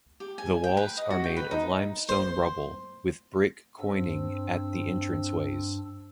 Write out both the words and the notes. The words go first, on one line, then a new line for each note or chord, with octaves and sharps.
The walls are made of limestone rubble with brick quoining at the entrance ways.
G4
G#5
G5
B4
D#5
F#4
G5
B4
D#4
C5
G2 C4 D4 E6